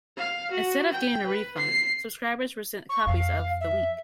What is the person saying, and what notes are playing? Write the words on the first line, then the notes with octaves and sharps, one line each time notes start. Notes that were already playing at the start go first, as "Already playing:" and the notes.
Instead of getting a refund, subscribers were sent copies of "The Week".
F5
F#4
G5
B4
C7
C#6
F2 F5
E5